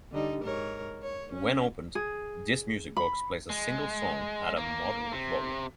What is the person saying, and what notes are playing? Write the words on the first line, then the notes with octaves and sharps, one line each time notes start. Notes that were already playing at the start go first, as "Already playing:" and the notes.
When opened, this music box plays a single song at a moderate volume.
D3 G3 D#4
G#2 A#4 C#5
C#5
C#4
G#4
B5
G#3
A#3
C3